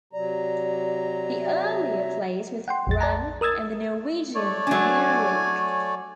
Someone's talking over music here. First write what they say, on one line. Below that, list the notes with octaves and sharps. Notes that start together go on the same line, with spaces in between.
He earlier played with Brann in the Norwegian Premier League.
C3 F#3 D5 A#5
E5
F#5 G5 C6
A#1 F2 A6
D5 A5 A#5
A#4 D#6 E6 G#6 A6
A3 C#5 D5
F#3 D4 G#5